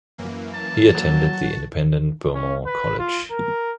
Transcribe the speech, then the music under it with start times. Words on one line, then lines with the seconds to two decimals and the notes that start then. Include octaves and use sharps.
He attended the independent Beaumont College.
0.18 F#2 E3 A#3
0.55 A5
0.95 F#3
1.33 F#4
2.35 C#4
2.66 B4
2.99 F4
3.31 A#4